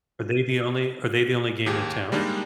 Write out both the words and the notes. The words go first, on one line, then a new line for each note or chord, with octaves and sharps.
Are they the only are they the only game in town?
D#2 G4 G#4
G3 G#3 A#3 D4 D#4